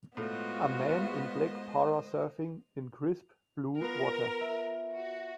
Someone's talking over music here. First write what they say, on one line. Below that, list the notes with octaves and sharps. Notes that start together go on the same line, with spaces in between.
A man in black parasurfing in crisp, blue water.
A2 G#3 A3 B3 F4 F#4 C5 D#5
B3 F4 A#4 B4
E5
F#4